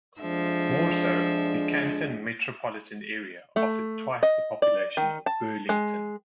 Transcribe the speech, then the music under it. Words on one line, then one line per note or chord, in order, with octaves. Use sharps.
More so, the Canton metropolitan area offered twice the population of Burlington.
F2 F3 G#3 D4 E5
A3
D#5
D5
D#3
A5
G#3